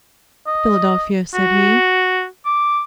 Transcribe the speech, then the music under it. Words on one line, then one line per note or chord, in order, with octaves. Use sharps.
"Philadelphia," said he.
D#5
F#4
D6